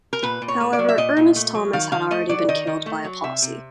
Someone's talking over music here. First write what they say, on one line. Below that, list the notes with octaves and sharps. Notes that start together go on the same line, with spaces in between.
However, Ernest Thomas had already been killed by a posse.
A#4
A#2 B4
A#2
C#5
A3
D5
F#3
E5
A#2 D#5
A#2
A3
F#3
D#3 F5
D#3 F5
A3 D#5
F#3 D5
D#3 D#5
D#3
A3
F#3
C3 E5
C3